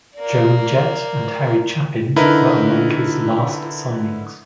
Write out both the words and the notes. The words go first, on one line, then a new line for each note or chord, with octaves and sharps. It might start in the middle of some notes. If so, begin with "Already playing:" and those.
Joan Jett and Harry Chapin were among his last signings.
A#3 D5
D3 D#4 E4 A#4 B4